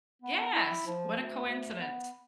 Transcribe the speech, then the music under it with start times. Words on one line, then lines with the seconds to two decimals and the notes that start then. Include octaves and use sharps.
Yes, what a coincidence.
0.22 B3
0.53 E4
0.87 F3
1.18 D2
1.46 D2
1.80 B3